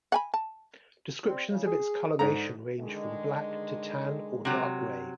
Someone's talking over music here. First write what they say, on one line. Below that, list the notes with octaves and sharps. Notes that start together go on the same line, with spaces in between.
Descriptions of its coloration range from black to tan or dark grey.
F#5 G#5 B5
A5
G3 C4
C#3
G#4
G#2 D3 A#5
D3 D#3 G#3
C3 F#3